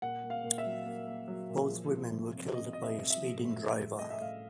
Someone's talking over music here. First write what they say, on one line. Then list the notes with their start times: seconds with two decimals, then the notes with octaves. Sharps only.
Both women were killed by a speeding driver.
0.02 A#2 F#5
0.23 A#3
0.30 F5
0.44 A#2
0.58 E5
0.65 F#3
0.86 A#3
1.07 A#3
1.28 F#3
1.49 A#2
1.70 F3
1.91 F3
2.12 F3
2.33 C3
2.54 C3 D#5
2.73 C3 D#5
2.82 E5
2.96 C3
3.10 E5
3.17 F3
3.37 A2
3.58 A2
3.80 A2
3.99 A2 D#5
4.10 E5
4.21 A2 F5